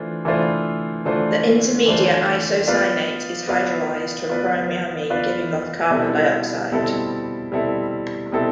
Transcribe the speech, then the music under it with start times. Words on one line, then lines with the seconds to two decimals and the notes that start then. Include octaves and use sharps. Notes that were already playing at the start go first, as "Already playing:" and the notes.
The intermediate isocyanate is hydrolyzed to a primary amine, giving off carbon dioxide.
Already playing: E3 A3 D4 F4 C5
0.25 E3 A3 D4 F4 C5
1.05 E3 A3 D4 F4 C5
1.86 E3 A3 D4 F4 C5
2.68 B3 F4 B4 D5 F5
3.47 B3 F4 B4 D5 F5
4.29 B3 F4 B4 D5 F5
5.10 B3 F4 B4 D5 F5
5.90 B2 G3 C4 E4 A4
6.72 B2 G3 C4 E4 A4
7.52 B2 G3 C4 E4 A4
8.32 B2 G3 C4 E4 A4